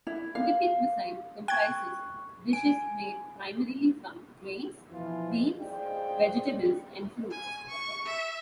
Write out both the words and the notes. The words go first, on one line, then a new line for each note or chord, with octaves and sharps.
Udupi cuisine comprises dishes made primarily from grains, beans, vegetables, and fruits.
E4
F5
G5 C#6 F#6 G#6
G#5 D7
B2 E3 F3 F4
F4 G#4 C5 D5 D#5 G5
G#5
C#6
E5